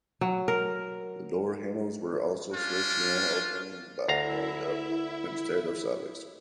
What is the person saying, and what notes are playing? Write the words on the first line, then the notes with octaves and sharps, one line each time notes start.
The door handles were also switched around, opening by pulling up instead of sideways.
F#3
A#4
C#4 D4 F4
D2 E4 E5 F5 A#5